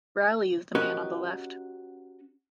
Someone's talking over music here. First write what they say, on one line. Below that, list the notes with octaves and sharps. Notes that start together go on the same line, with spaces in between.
Rowley is the man on the left.
C#4 F#4 G4 A#4 B4 D#5